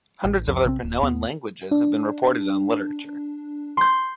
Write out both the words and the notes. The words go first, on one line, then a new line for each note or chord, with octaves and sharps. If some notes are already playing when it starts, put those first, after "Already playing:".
Hundreds of other Panoan "languages" have been reported in the literature.
A1
C2 F2
A#1 C3 F3 C4
D1
D#2 B3
D4
C6 G6